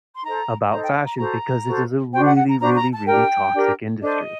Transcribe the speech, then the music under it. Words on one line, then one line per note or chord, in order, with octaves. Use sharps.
about fashion because it is a really, really, really toxic industry.
C6
D#4 A4 C5 A#5
D#4 A4 C5 A#5
G5
A#5
F#4 A4 C5 A#5
F#4 A4 C5
D4 F#4 C5 G5
F#5
F#5
A#5
D4 F#4 C5 A#5
A#5
A5
D4 G4 A#4 G5
D4 G4 A#4
D4 A4 C5 D#5